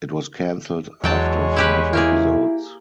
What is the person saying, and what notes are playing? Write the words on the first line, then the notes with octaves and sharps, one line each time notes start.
It was cancelled after five episodes.
E2 F#3 G#3 C#5 G5 A5
E4 G4 B4
A#3 E4 G4 G#4